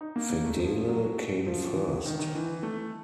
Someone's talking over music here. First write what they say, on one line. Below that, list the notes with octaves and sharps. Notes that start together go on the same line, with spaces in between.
Fedele came first.
D#4
A#3
A#3
A3
F3
F#3
F3
E3
D#3
D#3
E3
A3